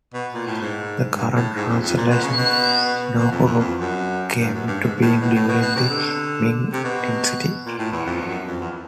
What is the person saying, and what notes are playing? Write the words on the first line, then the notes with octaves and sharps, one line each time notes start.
The current transliteration Niohuru came into being during the Ming dynasty.
B2
A#2
A2
G#2
G2
A2
G#2
F2
F2
A#2
B2
C#3
B2
B2
F2
E2
F2
F#2
G2
F#2
G2
G#2
G#2
A2
B2
A2
B2
B2
C3
D3
C3
B2
A#2
A2
E2
F2
F2
F#2
F2
E2